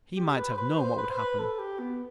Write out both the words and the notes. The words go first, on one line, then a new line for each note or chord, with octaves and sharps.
He might have known what would happen.
G4
B4
C5
B4
C5
B4
C5
B4
A4
G4
B3